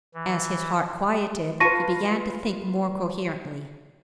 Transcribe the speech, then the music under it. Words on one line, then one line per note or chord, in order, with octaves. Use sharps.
As his heart quieted he began to think more coherently.
E3
F4 B4 A5 C#6 A#6 D#7